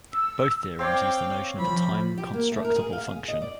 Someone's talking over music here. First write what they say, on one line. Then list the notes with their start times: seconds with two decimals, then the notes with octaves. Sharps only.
Both theorems use the notion of a time-constructible function.
0.12 E6
0.79 C4 C#5 D5 F5 G5
1.58 F3 B5
2.18 G4
2.34 A#3
2.52 A3
2.65 A#4
2.76 G#4
2.93 F5
3.09 G#4
3.28 D#5
3.42 D5